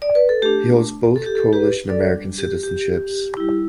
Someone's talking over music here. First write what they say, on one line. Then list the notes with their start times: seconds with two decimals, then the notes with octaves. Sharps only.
He holds both Polish and American citizenships.
0.02 D5
0.15 B4
0.29 A4
0.42 A3 D4 G4
1.16 A4
1.26 G4
1.35 A4
1.53 G4 B4
1.89 D4 A4 D5
1.94 G3
2.38 G4
2.63 G4
3.37 G3 E4